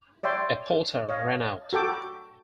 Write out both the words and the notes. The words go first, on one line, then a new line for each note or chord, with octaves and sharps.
A porter ran out.
C#5 D5 E5 G5 C6
C#5 D#5 F5
F#4 A4 G5 D6